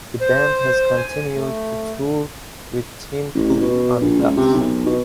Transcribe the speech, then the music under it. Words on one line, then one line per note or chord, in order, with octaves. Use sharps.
The band has continued to tour with Tim Cook on bass.
C5
G#5
A3
A1
B2
A#1
C#2
C3
B1
B2